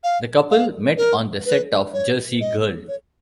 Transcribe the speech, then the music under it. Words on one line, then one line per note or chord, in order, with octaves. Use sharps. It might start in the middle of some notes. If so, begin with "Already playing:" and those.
The couple met on the set of "Jersey Girl".
F5
F5
A#4
B4
C#5
D#5
C#5